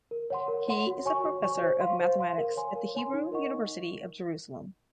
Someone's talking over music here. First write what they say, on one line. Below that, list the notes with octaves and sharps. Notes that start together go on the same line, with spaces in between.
He is a Professor of Mathematics at the Hebrew University of Jerusalem.
A#4
C#5 F#5 C6
A#4
C#5 F#5 C6
F#4
C#5 G#5 C#6
F#4
C#5 G#5 C#6
C5
F5 C6
C5
F5 C6
A#4
C#5 G#5 C6
A#4
C#5 G#5 C6
D#4
A#4 D#5 F#5 C#6
D#4